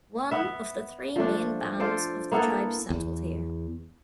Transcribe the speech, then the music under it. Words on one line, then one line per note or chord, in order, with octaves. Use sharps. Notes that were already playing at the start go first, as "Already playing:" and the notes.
One of the three main bands of the tribe settled here.
B3 E5
F3 A3 D4
F4 A4 C5 D5
A#3 B3 E4 A4
E2